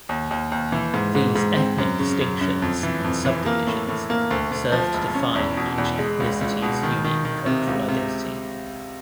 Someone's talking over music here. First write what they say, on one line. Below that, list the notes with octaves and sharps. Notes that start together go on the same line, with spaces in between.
These ethnic distinctions and subdivisions serve to define each ethnicity's unique cultural identity.
D#2
D#2
D#2
E3
G#2
G#2
G#2
C4
F#2
C#3
F#2
F#2
F2
E3
F2
E3
A#3
A2
A2
A#3
D2
D2
F3
E1
C#4
E2
B2
E2
G#3
C#2
C#2
B2
D#3
D#3
D#3
C3
C#2
C3